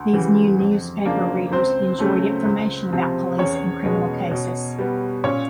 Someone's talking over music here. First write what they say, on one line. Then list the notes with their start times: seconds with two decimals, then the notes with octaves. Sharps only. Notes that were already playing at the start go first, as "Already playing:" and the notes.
These new newspaper readers enjoyed information about police and criminal cases.
Already playing: D2
0.13 C#3 E3 G3
0.59 F2
1.05 C#3 F3 A#3 D4
1.52 C#2 C4 C5
1.99 C#3 F#3 A3 C#4
2.45 C#2
2.92 C3 F3
3.38 E2 C#4 C#5
3.85 B2 G#3 B3
4.31 B2
4.79 G3 B3
5.24 A#2 C#4 C#5